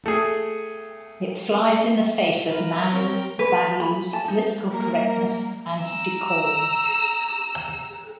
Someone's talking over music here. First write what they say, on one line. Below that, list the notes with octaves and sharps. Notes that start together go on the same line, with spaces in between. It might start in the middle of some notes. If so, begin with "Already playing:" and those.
It flies in the face of manners, values, political correctness and decorum.
A3 G#4
F4 A#4 B4
C4 C#5 G5
B4
B5
A5
D#4
G3 A#3 A#4
A#5 E6